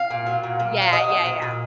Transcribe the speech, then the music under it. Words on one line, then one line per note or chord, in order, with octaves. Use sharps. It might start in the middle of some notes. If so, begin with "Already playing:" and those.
Yeah, yeah, yeah.
Already playing: F5
A#2
F#3
A#2
A#2
A#2
F5
F#3 D#5
A#2
F#3
A#2